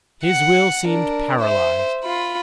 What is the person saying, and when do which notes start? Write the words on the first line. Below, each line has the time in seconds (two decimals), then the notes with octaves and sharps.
His will seemed paralysed.
0.25 F#5
0.85 D4 A#4
1.42 C5 E5
2.04 F4 B5